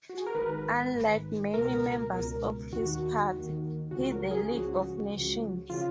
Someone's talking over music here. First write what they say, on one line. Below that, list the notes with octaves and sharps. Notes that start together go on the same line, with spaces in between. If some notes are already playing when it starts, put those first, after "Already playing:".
Unlike many members of his party, he the League of Nations.
F#4
G#4
A#4
G#1 G#2 D#3 B4
G#1 G#2 D#3
C#2 B2 A#4
C#2 B2
D#2 D#3 F#4
D#2 D#3
C#2 C#3 F3 F#4
A#4
G#4
C#2 C#3 F3 F#4
C#2 C#3 F3
C#3 F3 F4